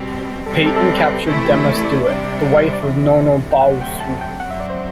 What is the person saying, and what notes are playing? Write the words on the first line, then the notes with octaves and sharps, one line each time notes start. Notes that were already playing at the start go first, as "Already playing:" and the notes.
Peyton captured Demasduwit, the wife of Nonosbawsut.
Already playing: B2 G3 C4 G4
C3 G3 C4 A4
A4
A4
B4
B4
C5
C3 E3 A3 E4
G4
E5
D5
D5
C3 G3 D4 D5
C5
D5
D2 C3 E3 E5
G5
D2 C3 F#3 A3 C4 F#5
G5
A5
G5
F#2 F#3 C4 F#5
E5
D5
C5